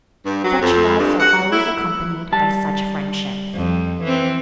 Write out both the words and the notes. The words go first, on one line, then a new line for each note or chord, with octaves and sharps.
Such loves are always accompanied by such friendships.
G2
F#3
F2
G2
F#5
E4
G3 A5
F2
E3 C4